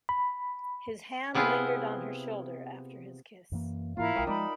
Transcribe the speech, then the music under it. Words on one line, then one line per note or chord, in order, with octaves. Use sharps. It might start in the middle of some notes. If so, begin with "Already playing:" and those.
His hand lingered on her shoulder after his kiss.
B5
C3 B3 E4 F4 G#4
F#2 E3 A#3
G#2 E3 A#3 E4 F4 A#4 F5 A#5
B1 G#3 A#4 G5 D#6
F3 G#3 D#4 D5 E5 B5